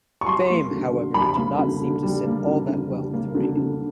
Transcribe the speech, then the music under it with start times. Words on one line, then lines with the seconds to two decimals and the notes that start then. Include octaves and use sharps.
Fame, however, did not seem to sit all that well with Regan.
0.21 C#6
0.26 G3 C6
0.50 A#3
0.71 D3
0.93 D3
1.14 G3 B5
1.37 A#3
1.59 D3
1.82 D3
2.03 G3
2.25 A#3
2.47 D3
2.69 D3
2.91 G3
3.13 A#3
3.35 D3
3.57 D3